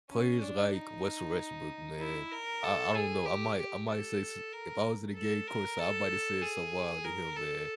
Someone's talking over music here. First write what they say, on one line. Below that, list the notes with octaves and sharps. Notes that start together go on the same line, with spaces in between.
players like Russell Westbrook, man, I I don't know, I might, I might say s if I was in a game courtside, I might have said something wild to him, man,
C#4
D4
D#4
E4
A#4
A4
G#4
G4
G4
A4
A#4
A4
A#4
A4
G#4
A#4
A4